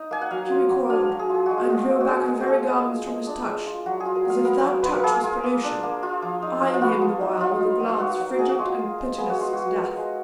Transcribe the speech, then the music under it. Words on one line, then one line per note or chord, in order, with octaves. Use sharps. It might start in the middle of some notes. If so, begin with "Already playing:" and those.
She recoiled, and drew back her very garments from his touch, as if that touch was pollution, eyeing him the while with a glance frigid and pitiless as death.
Already playing: D#4
A#3 G#5
F#5
F#3 F5
F4
F#3
D4 F5
F#3
G#4
F4 G#4
G#3 F#4
F4
F4 F#4
G#3
F#4
D4 G#4
G#3 A#4
F#4
F4 G#4
G#3
F4
G#3
D4
G#3
F4
F#3 F#4
G#4
F4
A#4
F#3 F5
B3 A#4
F#3
F4 B4
A#4
A#3 G#4
F4
A#3
D4
A#3
F4
F3
D#4
F3
F4
B3 F#4
F3
D#4
F#3 F4
D#4
F#3
F4
A#3 F#4
F#3
A#4
D#4 G#4
F#4
G#3 F4
F4
G#3
B3 G#4
F#4
G#3 F4
F4 F#4
G#3 A#4
G#3